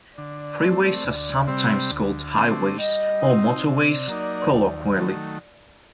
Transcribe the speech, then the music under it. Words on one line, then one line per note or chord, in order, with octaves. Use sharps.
Freeways are sometimes called highways or motorways colloquially.
D3 D5
A3 C4
D2
C3 G3 C4
D2
D3 A3 C4
G3 D#5
C4 D#4
C3 D5
F#3 A#3 D#4
D#2
D#3 F#3 A3